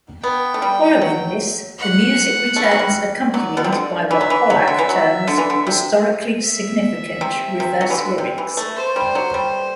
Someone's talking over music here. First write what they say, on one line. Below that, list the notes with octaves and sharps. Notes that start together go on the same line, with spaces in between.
Following this, the music returns accompanied by what Pollack terms "historically significant" reverse lyrics.
B3 G5
A3
G3
F#3
F#5
A3
G3
F#3
G3
F#3 D5
B2
C3
D3
E3 E5
F#3
E3
F#3
D3
E3
F#3
D3
E3
D3
C3
E5
C3
C3
F#3
E3
D3
C3
E3
A3
C5
G3
F#3
G3